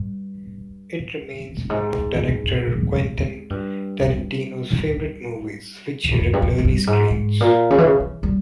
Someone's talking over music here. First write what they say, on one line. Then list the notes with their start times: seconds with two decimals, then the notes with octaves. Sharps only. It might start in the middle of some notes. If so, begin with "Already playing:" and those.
It remains one of director Quentin Tarantino's favorite movies, which he regularly screens.
Already playing: G2
1.70 G#2
3.50 G2
6.11 E2
6.21 F2
6.33 G2
6.42 F2
6.58 G#2
6.65 G2
6.87 G#2
7.10 G#2
7.41 A#2
7.70 C#3
7.78 E3
7.85 C#3
8.00 E3
8.23 G3